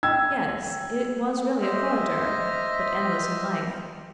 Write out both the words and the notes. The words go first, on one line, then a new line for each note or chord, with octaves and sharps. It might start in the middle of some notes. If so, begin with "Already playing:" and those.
Yes, it was really a corridor, but endless in length.
G5 E6 G#6
C5 D#5 E5 F6